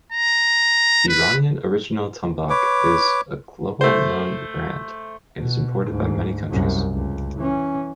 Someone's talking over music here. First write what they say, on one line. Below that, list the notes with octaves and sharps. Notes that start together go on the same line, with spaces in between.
Iranian Original Tombac is a global known brand and is imported by many countries.
A#5
B4
B4 C#5 D6
A3 C5
B2
D2 G#2
C2 F#2
C#2
E3 C#4